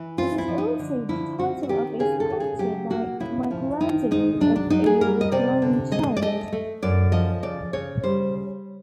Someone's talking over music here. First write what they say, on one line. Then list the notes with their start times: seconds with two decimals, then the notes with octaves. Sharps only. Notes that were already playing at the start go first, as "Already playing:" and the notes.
It is also the title of a sculpture by Michelangelo of a reclining child.
Already playing: E3
0.18 C4 F4
0.38 E4
0.48 F3
0.58 D#4
0.79 D3
1.09 F3 E4
1.38 C4 F#4
1.63 F#4
1.69 D#3 G4
1.99 C#3 G#4
2.20 A4
2.30 C#3
2.40 G#4
2.59 F#3 G4
2.90 A#3 F#4
3.20 C#3 E4
3.51 F3
3.81 D#3 D#4
4.11 G#3 D#4
4.41 F#3 D4
4.56 D4
4.70 F#3 D#4
4.86 G#4
5.01 G3 A#4
5.21 D#5
5.32 C3 D5
5.62 D3
5.92 G#3 D#5
6.17 D5
6.22 A3 D#5
6.53 A3
6.83 F#2 D5
7.12 F3 D#5
7.43 C#3 D5
7.73 C#3 C#5
8.03 G3 C5